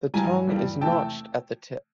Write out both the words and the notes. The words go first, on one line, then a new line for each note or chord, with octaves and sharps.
The tongue is notched at the tip.
G2 E3 G3 G#5 A#5
G2 E3 G3
C3 E3 A3 G5 A5